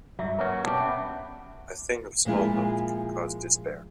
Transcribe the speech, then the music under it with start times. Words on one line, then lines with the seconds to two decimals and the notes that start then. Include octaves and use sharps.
A thing of small note can cause despair.
0.19 G2 F#3 E5
0.39 A#3 C#4 F#4 B4 C#5
0.64 B2 D4 G4
0.81 B3 C#4 E5
2.25 A#2 F3 G#3 E4 F4